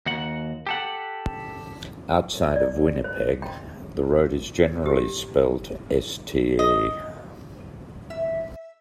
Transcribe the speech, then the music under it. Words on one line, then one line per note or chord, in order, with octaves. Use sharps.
Outside of Winnipeg, the road is generally spelled Ste.
D#2 F#4 F#5
G4 A4 F#5
D5
C5
G5
G4
D#5
E5